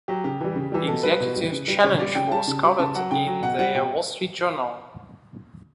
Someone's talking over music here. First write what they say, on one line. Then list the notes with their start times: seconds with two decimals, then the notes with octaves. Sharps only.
"Executive Challenge" was covered in "The Wall Street Journal".
0.08 F#3 G4
0.24 C#3 G4
0.41 E3 G3
0.56 C#3
0.72 E3 G3
0.88 B2 A4
1.03 G3 B4
1.20 B2
1.36 G3
1.52 C#3
1.68 G3
1.84 C#3 C#5
1.99 G3 D5
2.15 C#3 G5
2.31 G3 A5
2.47 C#3
2.63 G3
2.79 C#3 A5
2.95 F#3 F#5
3.11 C#3 G5
3.27 F#3
3.43 B2 F#5
3.59 G3 F#5
3.75 B2 G5